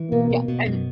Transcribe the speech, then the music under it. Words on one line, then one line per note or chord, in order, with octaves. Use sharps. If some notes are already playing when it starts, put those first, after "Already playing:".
Yeah, and
Already playing: E3
B2 A#3
B2
B2
F#2